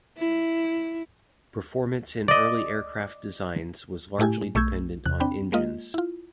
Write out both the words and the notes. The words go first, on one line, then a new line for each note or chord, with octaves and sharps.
Performance in early aircraft designs was largely dependent on engines.
E4
D5 D#5
A2 A3 E4 G4 G#5
B1 A3 C#6 E6 G6 G#6
E2 C3 F#6
C4 D4 G5 B5
G#3 A#3 F4 D#5
E4 F4